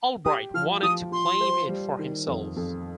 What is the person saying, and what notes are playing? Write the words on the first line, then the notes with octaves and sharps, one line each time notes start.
Albright wanted to claim it for himself.
G4 D#6
F3 F6
F3 D#6
F4 C6
C5
G3
D#3
F2
F2